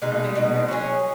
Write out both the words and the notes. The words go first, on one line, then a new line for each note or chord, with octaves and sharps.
I married her.
B2 G#3 D#4
B2 G#3 D#4
F#3 C#4 G#4